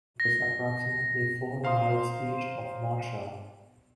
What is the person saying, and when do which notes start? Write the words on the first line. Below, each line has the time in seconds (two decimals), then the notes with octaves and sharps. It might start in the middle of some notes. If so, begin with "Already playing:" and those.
It is approximately four miles east of Marshall.
0.20 A#6
1.64 C5 F5 A#5 C6 D#6